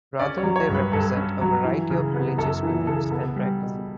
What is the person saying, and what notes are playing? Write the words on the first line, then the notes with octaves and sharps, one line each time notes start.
Rather they represent a variety of religious beliefs and practices.
C#4 D5
C#5
F#3
C#5
G2
B4
G2 A4
C#4
F#3
E3
C#3
B3
F#2 A4
E3
C#3 A4
B3 A4
G3
B2